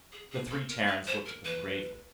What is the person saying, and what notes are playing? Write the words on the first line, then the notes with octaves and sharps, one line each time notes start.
The three Terrans looked at them gravely.
G#4
G#4
A4
A#4
B4
C5
A#4
B4